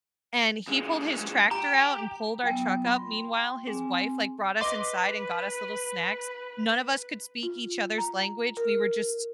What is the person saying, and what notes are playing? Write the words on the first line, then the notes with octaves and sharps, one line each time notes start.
and he pulled his tractor out and pulled our truck up. Meanwhile, his wife, like, brought us inside and got us little snacks. None of us could speak each other's language, we were just
D#2 G#3
G4 A#5
F#3 B3 F4 G5 G#5
F4 G5 C6
C4 G#4 G#5
B4 D#5 C6 D6
F4
A#5
A#4